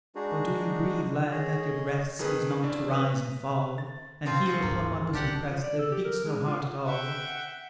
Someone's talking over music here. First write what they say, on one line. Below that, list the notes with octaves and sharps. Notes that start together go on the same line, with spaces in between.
"Oh do you breathe, lad, that your breast Seems not to rise and fall, And here upon my bosom prest There beats no heart at all?"
G#3 D4 D#4 F#4 G#4
G#4 C#5 D#5
F2 D#3 G#4 B4
A1 D4
B4 D#6
A6
F3 C4 F4
F4 F#4 G#4
D2 G#2 A#3 D4
B1 D4 G4 F#5
F3
D5
A4
G4
A#4
G#3
F4
E5 F#5 G5